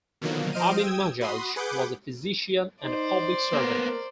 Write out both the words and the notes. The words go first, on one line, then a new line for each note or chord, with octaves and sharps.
Amin Majaj was a physician and a public servant.
B2 D3 D#3 F3 F#3 A#3
F3 C5 D#5 F6 D7 D#7
G5 D#6 E6 G#6
F#4 B5 C6 D#6
G#4 B4 F#5 D6 G6
D#4 C5 D5
A#3 B3 A#4